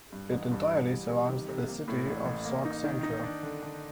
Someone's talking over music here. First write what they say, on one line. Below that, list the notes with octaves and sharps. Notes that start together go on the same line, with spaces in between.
It entirely surrounds the city of Sauk Centre.
G2
A1
G2
A1
G3
C3
D#3
C3
A#3
A2
A1
A1
A#3
D#4
D#3
D#4
D4
D3
D3